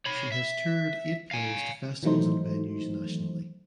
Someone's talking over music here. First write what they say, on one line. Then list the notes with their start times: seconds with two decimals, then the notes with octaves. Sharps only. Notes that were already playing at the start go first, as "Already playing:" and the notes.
She has toured eight plays to festivals and venues nationally.
0.06 C#5 B5
0.32 E5
1.31 F5 G#5
2.03 D#3 E3 F#3 A3 D#4 C5